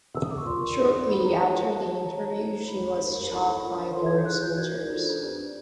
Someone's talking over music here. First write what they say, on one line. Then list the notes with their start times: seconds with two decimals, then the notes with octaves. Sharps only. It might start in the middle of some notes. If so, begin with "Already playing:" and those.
Shortly after the interview she was shot by Derg soldiers.
0.15 E6
0.23 D#6
0.31 D6
0.38 C#6
0.45 F4 A#4 D5 C6
0.77 D#4 G#4 C5
1.09 D#4 F#4 B4 D5 B5
1.25 A#5
1.41 F4 A#4 C#5 A5
1.72 G4 C5
1.98 A5
2.04 F#4 A#4 C#5 A#5
2.36 G4 C5
2.67 D#4 G#4 C#5 B5
3.00 D#4 G4 A#4
3.31 E4 A4 D5 B5
3.62 D4 F4 A#4 C#5
3.94 F4 A4 C#5 C6
4.06 G#6
4.16 G6
4.25 D#4 G#4 B4 F#6
4.41 G6
4.57 D#4 F#4 A#4 D5 G#6
4.90 D4 F4 A4 C5
5.21 D4 G4 B4 D5